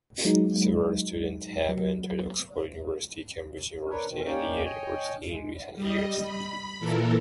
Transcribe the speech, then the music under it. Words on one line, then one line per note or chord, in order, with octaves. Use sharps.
Several students have entered Oxford University, Cambridge University and Yale University in recent years.
F#3 G#3 D#4
F#3
D4 A#4 B4 C#5
E2 B2 D#3
A#3 C#4 D#4 C#5 D5 G5
C#5 D#5 G5 G#5
G#3
G3 D#5
B5
A#2 E3 A4 A#4